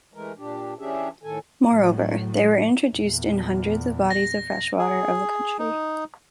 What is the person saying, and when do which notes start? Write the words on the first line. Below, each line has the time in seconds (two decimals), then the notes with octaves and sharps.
Moreover, they were introduced in hundreds of bodies of fresh water of the country.
0.14 E3 G#3 A3 A#4
0.38 A#2 D4 G4
0.79 E3 C#4 D4 G4 G#4 E5
1.23 A2 D#3 A4 G#5
1.72 A2 F#3
2.92 E2 A#2
4.10 A#6
4.79 G#4
5.59 D#4